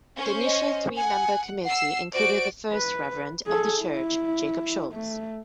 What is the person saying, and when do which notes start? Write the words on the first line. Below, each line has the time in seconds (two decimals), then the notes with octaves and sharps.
The initial three member committee included the first Reverend of the church Jacob Schultz.
0.17 C#4 C5
0.46 D#5
0.96 F#5 G#5
1.65 F#5 E6 C7
2.13 F#4 C5 D5 D7
2.72 B4
3.47 G#4 A4
3.82 E4
4.93 A3